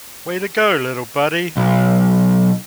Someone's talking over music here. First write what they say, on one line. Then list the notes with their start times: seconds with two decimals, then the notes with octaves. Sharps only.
Way to go little buddy!.
1.57 B1